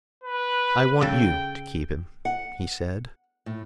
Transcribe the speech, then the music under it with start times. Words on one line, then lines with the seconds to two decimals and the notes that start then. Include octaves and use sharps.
"I want you to keep him," he said.
0.24 B4
1.01 C#3 A4 G5
2.25 F#5
3.46 A2